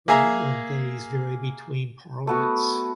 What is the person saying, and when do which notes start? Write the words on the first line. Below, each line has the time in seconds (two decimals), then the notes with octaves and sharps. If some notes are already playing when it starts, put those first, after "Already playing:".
The number of days varies between parliaments.
0.08 A#3 G#4 E5 G#5 A#5
2.27 A3 B3 F#4